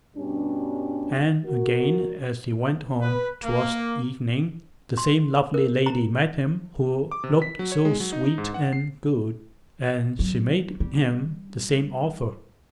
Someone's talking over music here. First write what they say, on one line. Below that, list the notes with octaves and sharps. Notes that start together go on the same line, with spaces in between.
And again as he went home, towards evening the same lovely lady met him, who looked so sweet and good, and she made him the same offer.
G2 B2 G3 C#4 D4
F#4 A#4
B4
A#3
C6
A#4
A#5
D6
C3
B6
F#3
C#5
G#3
F#3
D#4
D#4
G#2
F#5
C7
F#3
G3